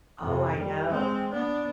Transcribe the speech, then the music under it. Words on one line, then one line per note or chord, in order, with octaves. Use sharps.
Oh, I know.
F2 C3
G3
G#3 C4
B3 D4